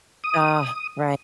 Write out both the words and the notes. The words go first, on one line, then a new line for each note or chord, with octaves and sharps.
Ah, righ
D#6